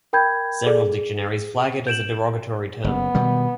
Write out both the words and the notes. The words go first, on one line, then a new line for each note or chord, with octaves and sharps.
Several dictionaries flag it as a derogatory term.
A#4 G5 B5 G6 G#6
G#4 A4 D5
G#4
G6 D7 E7 F#7
F#1 B3
B2 D#3 G3